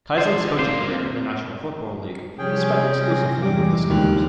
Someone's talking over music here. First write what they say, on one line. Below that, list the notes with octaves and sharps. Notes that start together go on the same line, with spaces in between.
Kiesling's coaching career in the National Football League was spent exclusively with the Steelers.
D3 C5 D5
A#3 C4 F4 C5
C3 F3 G3 C#4 G4 G#4 G5
F#3 A#6
E2 E3 G3 G#3 D6
D#2 D3 F6 F#6